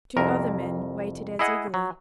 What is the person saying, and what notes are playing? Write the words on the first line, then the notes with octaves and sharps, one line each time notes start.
Two other men waited as eagerly.
C2 F2 A#4
E4 G#4 D#5 F#5
F#3